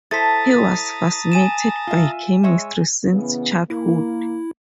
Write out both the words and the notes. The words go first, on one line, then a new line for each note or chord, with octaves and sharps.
He was fascinated by chemistry since childhood.
E4 A4 C5 A5 A#5 D#6 A6 B6
G#5 D#7 E7
F4 E5
G#3 C#5 E5
C#3 E3 B3
A#3 E4